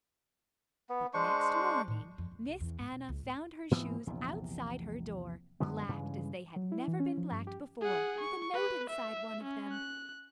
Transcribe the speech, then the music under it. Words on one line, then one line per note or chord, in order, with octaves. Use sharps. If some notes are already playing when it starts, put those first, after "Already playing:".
But next morning Miss Anna found her shoes outside her door, blacked as they had never been blacked before, with a note inside one of them.
B3
G#3 D4 C5 C#6
A2
F#3
F2
F2
C2
E2
G#2
B2
C#2
A2
G#2 E3 B3 C4
A#1 E2 C3
F#2 D3 G#3 B3
G2 C#3 E3 G#3
F#3
E4
E3
C#4
F3
G2
G4
G#4 F#5
C#6
B4
E5
C#4
F#6